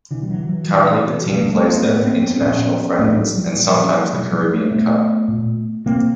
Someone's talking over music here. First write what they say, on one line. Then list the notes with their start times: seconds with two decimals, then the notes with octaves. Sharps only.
Currently the team plays there for international friendlies and sometimes the Caribbean Cup.
0.11 B2 D3 E3
0.23 G3
0.30 E3 F#3
0.49 E3 F#3
0.68 A#2 E3 F#3
1.26 B2 F3 G3
1.36 A#3
1.45 G3 A3
1.65 G#3 A#3
1.83 A2 A3 B3
2.03 A#3 C4
2.22 B3 C#4
2.41 A#2 B3 C#4
2.98 A2 A3 B3
3.18 F#3 G#3
3.37 F3 G3
3.55 A#2 F3 G3
4.13 B2 F#3 G#3
4.32 F3 G3
4.51 G3 A3
4.70 A#2 A3 B3
5.28 A#2
5.86 B2 A#3 C4